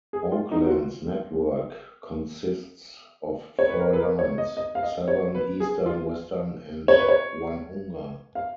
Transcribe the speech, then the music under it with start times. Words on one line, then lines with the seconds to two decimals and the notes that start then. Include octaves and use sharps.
Auckland's network consists of four lines: Southern, Eastern, Western and Onehunga.
0.13 G#4
0.32 F4
0.51 D#4
0.66 F#4
0.71 F4
3.59 C#5
3.69 B4
3.79 A#4
3.93 B4
3.98 A#4
4.19 C#5
4.38 D#5
4.57 D#5
4.75 F5
4.83 D#5
5.08 C#5
5.35 B4
5.60 G#4
5.86 F4
6.88 C#5
6.98 B4
7.09 C#5
8.35 F5